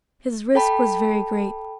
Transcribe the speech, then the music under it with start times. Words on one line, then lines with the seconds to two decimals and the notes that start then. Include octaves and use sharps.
His risk was very great.
0.55 A4 G5 A5 B5